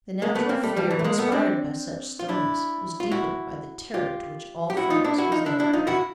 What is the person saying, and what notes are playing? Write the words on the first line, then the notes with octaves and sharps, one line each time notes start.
The natural fear inspired by such stillness was deepened by the terror to which all France was then a prey.
G#3 A#3
A3 B3
A#3 C4
G3 A3
F3 G3
E3 F#3
A3
G#3 A#3
A3 B3
C4 D4
F4
D4 E4
F4
E4 F#4
F4 G4
G4
E4 F#4
D#4 F4
D4 E4
E4 F#4
D#4 F4
D4 E4
D4 E4
D#4 F4
E4 F#4